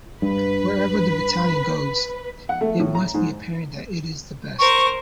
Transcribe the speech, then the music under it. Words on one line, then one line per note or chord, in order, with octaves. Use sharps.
Wherever the battalion goes, it must be apparent that it is the best.
G2 B4
F#5
A3
A2
A#5
G#2
A#4 C5 C#6